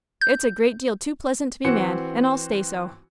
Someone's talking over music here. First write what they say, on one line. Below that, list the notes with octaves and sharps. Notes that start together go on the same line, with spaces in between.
It's a great deal too pleasant to be mad, and I'll stay so.
G6
E3 C4 F#4 C#7